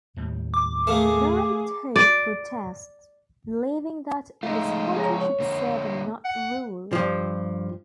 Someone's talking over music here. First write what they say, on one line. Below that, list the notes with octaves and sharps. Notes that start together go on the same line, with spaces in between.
Nighthawk protests, believing that the Squadron should serve and not rule.
D#2 A2 G3
D6
A3 A#3 G#4
D5
F3 G#3 A3 D#4 F4
G#4 C#5 A#5
C#5
D3 A#3
F#5
G2 F3